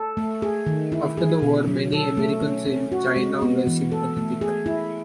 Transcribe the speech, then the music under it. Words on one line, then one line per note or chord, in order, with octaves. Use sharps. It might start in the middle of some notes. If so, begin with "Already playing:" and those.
After the war, many Americans in China were sympathetic.
Already playing: A4
A3
G#4
D#3
E4
G#4
B2
F#3
A4
A3
C#4
C#4
F#4
G#3
B3
E3
A4
A3
G#4
E4